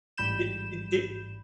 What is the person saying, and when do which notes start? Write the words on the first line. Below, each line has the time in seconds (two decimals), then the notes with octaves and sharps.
Did did di
0.18 A1 G#2 G3 B5 G6 E7